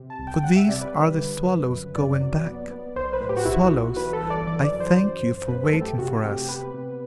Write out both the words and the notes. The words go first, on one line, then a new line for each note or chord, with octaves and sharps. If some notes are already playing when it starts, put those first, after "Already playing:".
For these are the swallows going back. Swallows, I thank you for waiting for us.
Already playing: C3
A5
C2
G5
G3 F#5
E5
C3 D5
B4
G3
D3
F#2
F#2
C2 D5
F#3
B3
B3
B1 C5
B4
A2
G4
F#4
B1 E4
F#4
B1
E3 B4
A4
G1
D5
E3 D5
D5
F#2
C5
F#2
F#2
F#2 B4
A4
A3
G4
C3 F#4
G4
C3
G4
B3 B4
C3